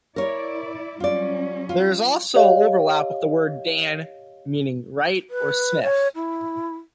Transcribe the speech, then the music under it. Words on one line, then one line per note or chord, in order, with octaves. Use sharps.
There is also overlap with the word "dan" meaning "wright or smith".
E4 A#4 C#5 D5
F#3 G3 C#4 F4 D5
F4
G4 C#5 D#5 F5
B4
C#5
E4